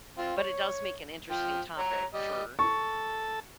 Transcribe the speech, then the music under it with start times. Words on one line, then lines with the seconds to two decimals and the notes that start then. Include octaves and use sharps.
but it does make an interesting topic for
0.18 C4 F4
0.37 C#5
1.31 F3 G5
1.79 C#5 A#5
2.14 G3 D#5
2.59 A4 A5 C#6